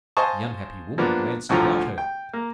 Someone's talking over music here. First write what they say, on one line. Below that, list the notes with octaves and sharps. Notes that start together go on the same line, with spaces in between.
The unhappy woman glanced about her.
C5 D#5 F5 G#5 A5 C#6
F3 A#3 B3 D4
D2 A2 D3 F3 A#5
G5
A#3